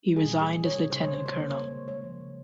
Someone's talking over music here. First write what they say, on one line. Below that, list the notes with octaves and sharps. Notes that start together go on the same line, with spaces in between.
He resigned as Lieutenant colonel.
G3
G#4
A#2
G3 G#4
D#3
C#5
C3
C#3 C5
G#3 C#5
C5
C#3 C#5
A#3 C5
C#5
G3
C5
D#3
G#3 C#5
F3
C#3